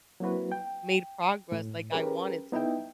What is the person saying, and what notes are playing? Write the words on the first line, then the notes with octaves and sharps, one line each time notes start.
made progress like I wanted to."
F#3 A#3 C4 E4 F#4 B4
G5
A2
C#4 G4 G#4 A#4 B4
B3 D#4 E4 E5 G5